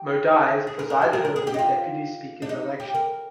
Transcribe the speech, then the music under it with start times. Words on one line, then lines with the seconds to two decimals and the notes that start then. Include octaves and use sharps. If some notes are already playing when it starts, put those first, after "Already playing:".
Modise presided over the Deputy Speaker’s election.
Already playing: G4
0.67 G#4
0.79 A#4
0.90 A#4
1.02 G4
1.13 A#4
1.25 A#4
1.36 G#4
1.47 G4
1.54 D#4
1.59 F4
2.42 D4
2.49 D#4
2.80 G4
2.95 A#4